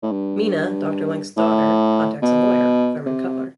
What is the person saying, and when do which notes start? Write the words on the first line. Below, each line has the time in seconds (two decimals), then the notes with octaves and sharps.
Mina, Doctor Link's daughter, contacts a lawyer, Thurman Cutler.
0.02 A2
0.11 G2
1.37 A2
2.22 B2
3.06 C3